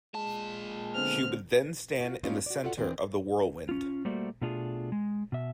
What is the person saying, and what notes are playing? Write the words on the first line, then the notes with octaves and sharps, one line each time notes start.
She would then stand in the centre of the whirlwind.
A#2 G#3 A5
D3 B3 C4 F6
F4 F#4
F#3 G3 A#3 C#4 D#4 F4
F#4 D5
F4 F#4 A4 D5 E5 F#5
E2 E3 C4 D4
C#4 F4
G3 A3 A#3 F#4 C5 D5
B2 A3 D4 F4 G#4
G#3
B2 E5